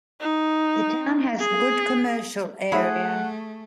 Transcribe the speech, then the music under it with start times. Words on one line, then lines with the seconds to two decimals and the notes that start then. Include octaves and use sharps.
The town has a good commercial area.
0.20 D#4
1.39 G#4
2.72 A3 G#4 C5 E5 F#5 B5